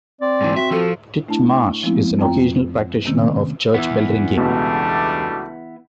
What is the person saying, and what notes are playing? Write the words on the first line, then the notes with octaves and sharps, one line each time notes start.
Titchmarsh is an occasional practitioner of church bellringing.
C4 D5
G#2 E3
F#4 E5
F3 A4
A3 D4 E4 A5
C#6
F3 G#3 A3 B3 C4 E4
F2 C4 F4 G5 A#5
C3 D#3 A3 A#3 C4 C#4
E2 E3 B3
C#2 B2 G3 A3 D4